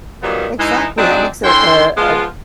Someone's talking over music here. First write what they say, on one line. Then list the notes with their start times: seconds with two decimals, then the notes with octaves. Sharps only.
Exactly, that makes a a a d
0.22 A#2 D#3 F#3 G3 A#3 B3
0.58 E3 G#3 D#4
0.97 F#3 C4 D4 D#4 G#4 D5
1.44 D3 E3 C#4 G5 C6
1.97 F3 G#3 B3 F4